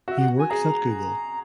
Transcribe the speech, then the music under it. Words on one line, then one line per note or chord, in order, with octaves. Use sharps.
He works at Google.
F#4 E5
F#5
G#5
G#4 A#5